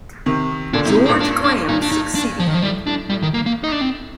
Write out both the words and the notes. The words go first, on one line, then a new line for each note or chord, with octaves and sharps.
George Graham succeeded him.
C3 D#3
A#2 D3 D4
A2 C3
D#4
A2 C3
C4
G2 A#2
D4
D4
G2 A#2 D#4
D4
D#4
D4
F3
D#3
F3
A2 G3
A2 D4
A2 G3
D#3
A#3
A#3
D#4
D4
C4